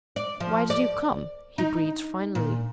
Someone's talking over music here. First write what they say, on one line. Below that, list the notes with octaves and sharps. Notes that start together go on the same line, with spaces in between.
"Why did you come?" he breathed finally.
D5
F3
D5
D#4
A#2